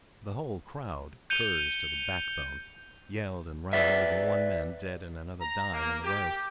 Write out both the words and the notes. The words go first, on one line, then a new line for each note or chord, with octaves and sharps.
The whole crowd--curs to the backbone--yelled and ran; leaving one man dead, and another dying in the road.
G6 C#7 D#7 F7 G7
B4 D5 E5
A#5
A#3
G4